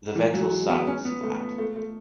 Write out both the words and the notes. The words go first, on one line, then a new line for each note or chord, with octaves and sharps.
The ventral side is flat.
E3
F#3
G#3
B3
C#4
B3
A3
B3
A3
A3